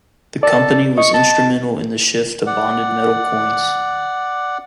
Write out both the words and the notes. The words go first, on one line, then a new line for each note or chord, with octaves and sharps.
The company was instrumental in the shift to bonded metal coins.
A4 D5
D#5 C#6
A5
D5 F#5